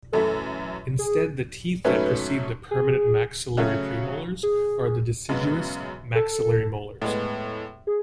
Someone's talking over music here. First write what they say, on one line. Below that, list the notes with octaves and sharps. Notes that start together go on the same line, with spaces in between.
Instead, the teeth that precede the permanent maxillary premolars are the deciduous maxillary molars.
F#2 E3 A3 E4 A4
G#4
G#2 F#3 A3 C#4 B4
G#4
C#3 F#3 A3 C#4 F#4
G#4
F#2 C#3 G#3 B3
A4
A2 G#3 B3
G#4